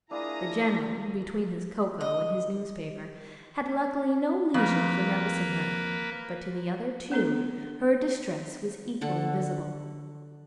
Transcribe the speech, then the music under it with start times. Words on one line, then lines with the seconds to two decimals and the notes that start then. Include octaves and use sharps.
The general, between his cocoa and his newspaper, had luckily no leisure for noticing her; but to the other two her distress was equally visible.
0.11 A#3 D4 E4 F4 G#4 A#5 D#6 A#6
2.01 D#5
4.54 F2 A#3 B4
7.12 B3 D4 A4
9.01 D3 A4 F#5